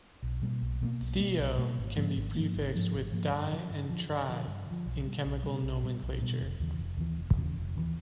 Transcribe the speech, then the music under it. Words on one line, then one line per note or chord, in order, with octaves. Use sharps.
Thio- can be prefixed with di- and tri- in chemical nomenclature.
B1
B2 G3 A#3
B1
B2 G3 A#3
B1
B2 G3 A#3
B1
B2 G3 A#3
G#1
G#2 F3 A#3
G#1
G#2 F3 A#3
G#1
G#2 F3 A#3
G#1
G#2 F3 A#3
G2
D3 F3
G2
D3 F3
G2
D3 F3
G2
D3 F3
B1
B2 G3
B1
B2 G3
B1
B2 G3
B1
B2 G3
F1
D#2 C#3 E3
F1
D#2 C#3 E3
F1
D#2 C#3 E3
F1
D#2 C#3 E3